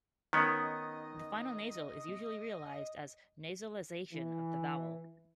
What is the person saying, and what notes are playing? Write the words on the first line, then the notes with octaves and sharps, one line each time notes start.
The final nasal is usually realised as nasalisation of the vowel.
D#3 B3 C#4 D#5
E3